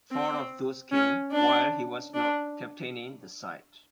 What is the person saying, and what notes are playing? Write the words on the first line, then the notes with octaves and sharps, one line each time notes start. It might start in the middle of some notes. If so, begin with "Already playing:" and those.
Four of those came while he was not captaining the side.
C4
C#4
D4
D4